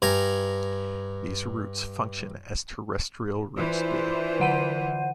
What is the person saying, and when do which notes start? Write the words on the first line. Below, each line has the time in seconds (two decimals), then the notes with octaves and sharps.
These roots function as terrestrial roots do.
0.02 G2 G#5 A#5
3.56 E3 D4 F4 C5
4.40 D3 F#5 D#7